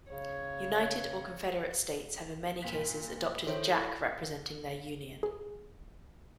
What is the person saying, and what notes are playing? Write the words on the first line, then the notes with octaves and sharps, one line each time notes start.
United or confederate states have in many cases adopted a jack representing their union.
C#3 C#5
G2 A#2 B6
D#3 E4 A4 C5 C#5
E4 B5 C#6 A#6
G#4